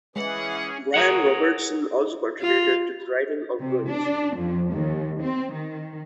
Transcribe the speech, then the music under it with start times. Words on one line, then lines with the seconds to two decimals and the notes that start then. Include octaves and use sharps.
Brian Robertson also contributed to the writing of "Girls".
0.16 E3 G#3 C#4 G#4 F#5
0.94 G#4 A#4 C#5 F#5
2.42 F4
3.60 C3
3.90 D4
4.36 F2
4.73 D#2
5.22 C4
5.53 D#3